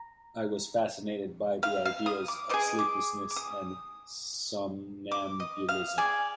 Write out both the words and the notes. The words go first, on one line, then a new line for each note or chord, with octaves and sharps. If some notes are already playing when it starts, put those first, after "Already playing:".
I was fascinated by the ideas of sleeplessness and somnambulism.
Already playing: A#5
F5
F5
D#6
D6
G#4 C5 D#5 D6
D6
D6
D#6
D6
D#5
F5
G#4 D5 G#5